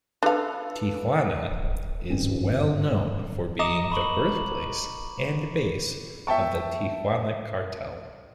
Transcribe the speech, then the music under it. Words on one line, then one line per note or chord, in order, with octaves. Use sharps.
Tijuana is well known for being the birthplace and base of the Tijuana Cartel.
D4 A4 B4 F5
G#1 G2 C4 C#4
D#5 A#5 D6 E7
B5 C#6 F#7
E5 G5 A5 C#6